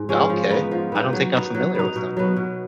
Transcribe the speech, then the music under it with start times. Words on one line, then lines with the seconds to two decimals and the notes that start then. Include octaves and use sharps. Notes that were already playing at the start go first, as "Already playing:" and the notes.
Okay. I don't think I'm familiar with them.
Already playing: G#2
0.09 F3 G#3 C#4
0.30 F3
0.50 B3 D#4
0.71 F3
0.92 B3 D#4
1.13 F#3
1.34 B3 D#4
1.54 F#3
1.75 B3 D#4
1.96 B2
2.17 F#3 B3
2.36 B2